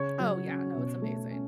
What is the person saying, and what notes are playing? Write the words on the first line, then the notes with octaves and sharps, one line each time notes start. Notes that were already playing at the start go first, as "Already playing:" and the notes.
Oh yeah, no, it's amazing.
Already playing: C#3 C#5 C#6
F#3
C#4
B2
A3
C#4